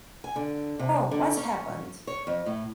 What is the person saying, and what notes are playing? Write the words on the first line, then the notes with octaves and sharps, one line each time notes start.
Oh, what's happened?
G#5
D3
C3
D3
C#4
C#5
F2
A2